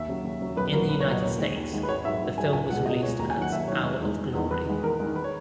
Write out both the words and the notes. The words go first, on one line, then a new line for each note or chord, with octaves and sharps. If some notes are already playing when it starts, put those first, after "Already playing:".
In the United States, the film was released as Hour of Glory.
Already playing: D#2 E5
C#3 F#3
D#2
C#3 F#3
B1 B4
A#2 F#3 A#4
B1 B4
C#5
A#2 F#3 D#5
D#2 C#5
D#3 G#3
D#2
D#3 G#3
B4
G#1 C#5
G#2 F#3 E5
G#1
G#2 F#3 G#5
C#2 G#5
B2 G#3 F#5
C#2 D#5
B2 G#3 C#5
D#2 A#5
G#5
D#3 F#3
F#5
D#2 E5
D#3 F#3 C#5
E1
E2 D#3 G#3
E1
E2 D#3 G#3
E2 B4
D#3 G#3
E2 A#4
D#3 G#3
B4
C#5